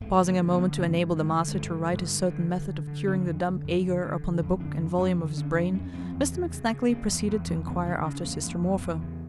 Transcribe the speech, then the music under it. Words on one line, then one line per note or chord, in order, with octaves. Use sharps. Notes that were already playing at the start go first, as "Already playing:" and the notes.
Pausing a moment to enable the master to write his certain method of curing the dumb "ager" upon the book and volume of his brain, Mr. McSnagley proceeded to inquire after Sister Morpher.
G2 A3
D3
A#3
D3
B3
D3
G2 C4
D3
D3 G#3
D3
G#3
G2 A3
D3
G2
G2
D3
D3
D3
D3
D3 C#4
F2
D3
F2
D3
D3
D3
F2
D3 D4
F2
F2 C#4
D3
D3 C#4
F2 D4
F2 C#4
F2 C4
E2
C#3
C#3
C#3
C#3 A#3
E2
E2
E2
C#3 B3
C#3 D4
C#3 D4
E2 A#3
E2
E2
E2
C#3